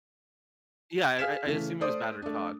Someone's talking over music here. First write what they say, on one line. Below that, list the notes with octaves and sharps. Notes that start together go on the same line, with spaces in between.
Yeah, I I I assume it was battered cod.
G#4 F5 F6 B6 E7
C#3 E3 A3
A3 C5 D5 D#6
A3 D4